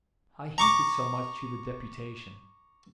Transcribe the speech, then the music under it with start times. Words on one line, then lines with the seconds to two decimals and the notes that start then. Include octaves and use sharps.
I hinted so much to the deputation.
0.58 A#5 C#6 D6